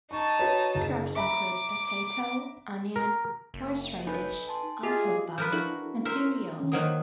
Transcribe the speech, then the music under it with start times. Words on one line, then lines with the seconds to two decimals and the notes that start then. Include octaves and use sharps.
Crops include potato, onion, horseradish, alfalfa, and cereals.
0.11 D#4 A5 C#6
0.39 F#4 B4 C#5
0.75 F#1
1.16 E5 A#5 B5 D6
2.96 A#4
3.54 F#1
4.07 D#4 A4 B4 G#5 B5 G6
4.47 G#5 A5 C6
4.83 F4 G4 G#4 D#5 E5
5.38 F3 A#4 B4 G6
5.52 D4 E4 F#4 A4
6.05 A#4 C5 E5
6.60 D#3 C#4
6.72 D#3 F#3 A#3 C5 F#5 D#6